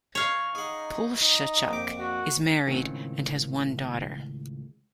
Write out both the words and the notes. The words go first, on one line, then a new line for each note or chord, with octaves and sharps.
Poleshchuk is married and has one daughter.
C#5 F5
D#4 G#4 F#5
D#4
A#1 F2 D6
F#4
C#2 A2 D#3 C4 C#4 F#5